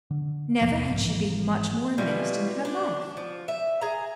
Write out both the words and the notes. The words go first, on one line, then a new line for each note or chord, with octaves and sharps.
Never had she been much more amazed in her life.
D3
A1 E2 C3 F3
B1 G#2
G#1 E3 F3
B2 E3 G3 F4
D4
F3
E5
G#4 A#5